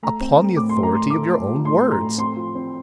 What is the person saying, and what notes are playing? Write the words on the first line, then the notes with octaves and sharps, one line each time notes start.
"Upon the authority of your own words."
A3 A#5
C4
A3
A2 D6
C6
A3
A#5
A2 C6
A3 D6
A3
F3
A2 C6
A3
A#5
A2
C4 C6
F3
C4